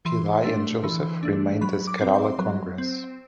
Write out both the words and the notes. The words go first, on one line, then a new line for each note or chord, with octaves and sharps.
Pillai and Joseph remained as Kerala Congress.
E3 C6
A3 D4
E3
A3 D4
F#3 B5
D6
C4
C6
F#3
C4